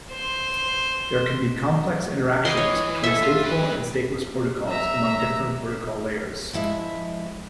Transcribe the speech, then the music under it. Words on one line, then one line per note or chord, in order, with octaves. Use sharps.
There can be complex interactions between stateful and stateless protocols among different protocol layers.
C5
E3 D#5 C6
C#5
A4 E5
F4
G4 B4
E5 A#5
F3 G#3 E4 E5